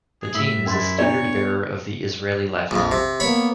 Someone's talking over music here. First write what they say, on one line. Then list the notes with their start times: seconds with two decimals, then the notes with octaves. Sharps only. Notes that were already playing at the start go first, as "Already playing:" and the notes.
The team is the standard-bearer of the Israeli left.
0.22 G#4
0.35 A2 E5
0.66 F#2 E4 C6 A6
0.98 B3 D4 E4 C#5 D5
2.71 A#1 F2
2.92 C3
3.20 A#3 B3 C#5 B5